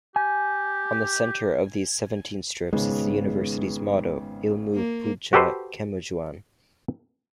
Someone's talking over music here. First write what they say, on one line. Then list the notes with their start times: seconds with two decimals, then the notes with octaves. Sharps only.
On the centre of these seventeen strips is the university's motto 'Ilmu Puncha Kemajuan'.
0.16 G4 G#5
2.73 G#1 C#3 G#3 B3
4.75 A#3
5.33 F#4 G4 A4 B4 C5